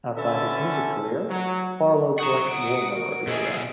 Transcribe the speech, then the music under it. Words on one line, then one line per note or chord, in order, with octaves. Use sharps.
Outside his music career, Farlowe collects war memorabilia.
D3 C#4 A4 B4 E5 A5
F#3
F#5 A#5 C#6 D#6
D#6 D7
F#4 A#4
B2 E4 G#4 D#5